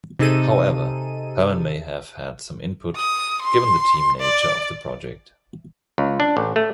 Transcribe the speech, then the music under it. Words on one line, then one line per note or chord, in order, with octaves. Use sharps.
However, Herman may have had some input, given the team nature of the project.
C3 D#4 G#4 A4 D#7
D#6
C6
D5
C#2
D4
A1
A3